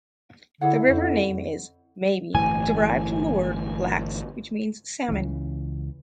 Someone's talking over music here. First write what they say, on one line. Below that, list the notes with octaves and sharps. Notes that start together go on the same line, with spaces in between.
The river name is, maybe, derived from the word "lax" which means "salmon".
D3 E4 G#4 C#5 F#5
F2 C#4 C5 F#5
G1 A2 E3 G#5
C#2 C#3 E3